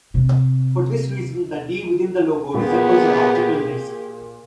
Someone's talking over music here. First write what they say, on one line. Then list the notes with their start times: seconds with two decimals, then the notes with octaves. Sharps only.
For this reason the "D" within the logo resembles an optical disc.
0.14 C3
2.54 A#2 B3 G4 G#4